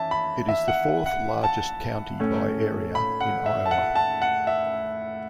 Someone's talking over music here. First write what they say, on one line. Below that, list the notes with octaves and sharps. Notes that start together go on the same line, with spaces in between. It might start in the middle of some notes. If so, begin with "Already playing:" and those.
It is the fourth-largest county by area in Iowa.
Already playing: E3 C#4 E5 A5
B5
E5
F#5
F#5
A5
A2 A3 C#4
B5
F#5
E5
A5
F#5
A5
F#5
E5